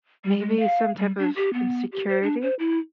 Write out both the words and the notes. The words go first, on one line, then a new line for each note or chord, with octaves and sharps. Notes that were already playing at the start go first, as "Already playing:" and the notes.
maybe some type of insecurity.
G3
G#3
F5
G3
D4
G4
B3
G4
C5
D4
C5
E4